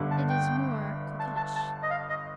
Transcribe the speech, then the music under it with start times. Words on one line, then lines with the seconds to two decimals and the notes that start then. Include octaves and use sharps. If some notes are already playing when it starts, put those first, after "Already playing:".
It is more coquettish.
Already playing: G1 G2 D3
0.11 A5
0.29 G5
1.20 A5
1.37 A5
1.56 A5
1.83 D#5
1.91 F5
2.09 D#5